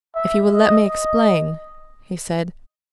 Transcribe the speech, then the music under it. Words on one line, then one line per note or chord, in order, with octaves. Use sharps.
"If you will let me explain," he said.
E5
D#5
D#5